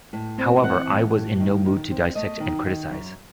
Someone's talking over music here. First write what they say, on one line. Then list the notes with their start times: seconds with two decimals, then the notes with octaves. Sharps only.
However, I was in no mood to dissect and criticize.
0.13 A2
0.38 C4
0.63 E3 F#5
0.89 A2
1.14 A2
1.40 D#3
1.65 D#3
1.91 C4
2.15 A3 D#5
2.40 D#3
2.66 D#3
2.91 F#2